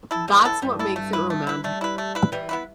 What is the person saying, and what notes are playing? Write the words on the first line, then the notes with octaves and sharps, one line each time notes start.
That's what makes it romantic.
E4 A4
E2 G3
E4 A4
G2 G3
E4 A4
A3
E4 B4
A3
E4 B4
G3 A3
E4 B4
A3
E4 B4
E3 G3
B3 E4 B4